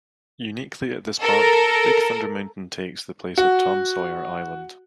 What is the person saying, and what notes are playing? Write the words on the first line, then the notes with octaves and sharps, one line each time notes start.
Uniquely at this park, Big Thunder Mountain takes the place of Tom Sawyer Island.
A4 A#4
F#4